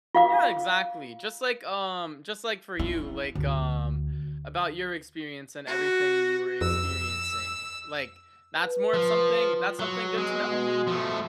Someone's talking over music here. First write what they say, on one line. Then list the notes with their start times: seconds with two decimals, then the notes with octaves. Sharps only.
Yeah, exactly. Just like, um, just like for you like, um, about your experience and everything you were experiencing, like, that's more of something that's something good to know
0.15 F4 F5 D6
2.79 E4
3.35 D2
5.67 F#4
6.61 F2 E6
8.58 B4
8.94 F3
9.79 F#3
10.17 B2 G#3
10.87 F3 A3